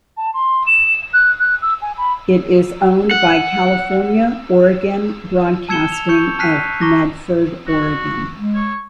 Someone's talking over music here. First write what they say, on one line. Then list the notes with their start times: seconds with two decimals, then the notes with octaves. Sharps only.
It is owned by California Oregon Broadcasting of Medford, Oregon.
0.17 A5
0.34 C6
0.67 E7
1.13 F#6
1.39 F#6
1.62 E6
1.82 G#5
1.98 B5
3.11 F#5
5.69 A5 E6 G#6 C#7 E7 G7
5.92 F7
6.09 C#6 G6 C#7
6.39 A5 F6 F#6 B6 C7 D#7
6.81 A#5 C#6 D6 A#6
7.67 F#4
8.37 G#3
8.54 C#5